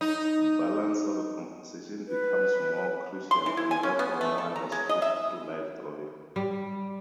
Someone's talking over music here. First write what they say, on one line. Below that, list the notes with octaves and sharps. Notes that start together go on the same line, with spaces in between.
Balance of a composition becomes more crucial and therefore more understood through life drawing.
D#4
B4
C6
E3
E4
G#5
C#4
B3
A3
A4
A#5
G#3
D#5
E5
G3